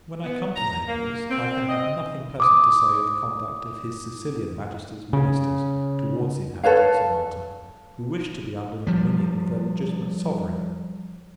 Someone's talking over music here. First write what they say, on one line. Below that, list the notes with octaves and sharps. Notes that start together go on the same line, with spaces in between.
When I come to Naples, I can have nothing pleasant to say of the conduct of his Sicilian Majesty's ministers towards the inhabitants of Malta, who wish to be under the dominion of their legitimate Sovereign.
B3
A#5
A#3
C4
D#5
D6 D#6
C#3
A4 B4 C#5 F5
F3 G3